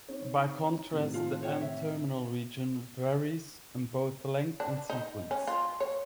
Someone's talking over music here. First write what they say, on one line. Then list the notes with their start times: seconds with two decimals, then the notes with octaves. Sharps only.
By contrast, the N-terminal region varies in both length and sequence.
0.09 C4 D#4 C#5
0.91 A2 C3 D#3
1.14 F4 A5
1.41 C5 C#5 G5
1.62 E5
4.60 D4
4.90 D#4
5.31 C#4
5.47 F4
5.80 C#5